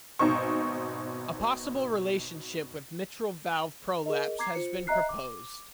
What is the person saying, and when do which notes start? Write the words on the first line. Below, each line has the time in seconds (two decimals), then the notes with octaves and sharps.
A possible relationship with mitral valve prolapse has been proposed.
0.19 G#1 B2 D#4 C5 C#6
4.06 G#4 A#4 D#5
4.39 A#5 D6 G#6 C7
4.55 F4 C5 C#7
4.87 D#5 E5 A#5 F#6 C7
5.09 D6